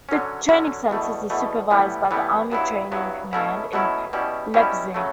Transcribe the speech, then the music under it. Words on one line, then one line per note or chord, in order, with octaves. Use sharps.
The training centers are supervised by the Army Training Command in Leipzig.
D3 F#3 C#4
D3 F#3 C#4
E2 B2 A3
E2 B2 A3
A2 E3 G3 B3
A2 E3 G3 B3
G2 F#3 B3 E4
G2 F#3 B3 E4
B2 F#3 A3 C#4 E4
B2 F#3 A3 C#4 E4
B2 G3 C#4 E4
B2 G3 C#4 E4
C#3 F#3 A3